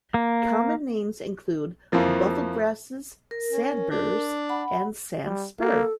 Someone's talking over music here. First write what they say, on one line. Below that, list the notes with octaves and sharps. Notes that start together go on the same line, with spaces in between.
Common names include buffelgrasses, sandburs, and sand spur.
A#3
F2 E3 F3 A#3
A#4
C#4
D4
F#5 B5
G3
A#3 A4